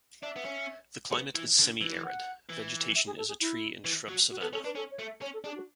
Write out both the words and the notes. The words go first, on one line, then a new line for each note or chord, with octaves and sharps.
The climate is semi-arid, vegetation is a tree and shrub savanna.
D4 E5
B3
C#4
B3
E3
D3
E3
F#5
E3
E5
G#4
A4
G#4
E4
E3
F#3
F#4
B3 A4
C#4 A4
D4 B4
C#4 A4
C#5
A3
E5
C#4 C#5
A4
D4 G#4
F#4